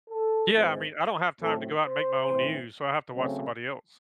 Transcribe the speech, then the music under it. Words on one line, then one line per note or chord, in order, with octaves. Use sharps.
Yeah, I mean, I don't have time to go out and make my own news, so I have to watch somebody else.
A4
G#2 E3 G#3 C4
A2 F#3 A3 C4 A4
C5
A2 E3 C4
C#3 F#3 A3 C4